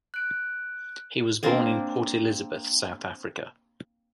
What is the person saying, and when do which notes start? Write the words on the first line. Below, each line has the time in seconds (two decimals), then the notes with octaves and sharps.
He was born in Port Elizabeth, South Africa.
0.14 F#6 D7
1.43 A#3 C4 D4 A#4